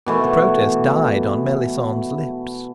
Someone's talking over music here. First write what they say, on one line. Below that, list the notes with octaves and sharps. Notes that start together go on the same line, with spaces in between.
The protest died on Melisande's lips.
B2 E3 A3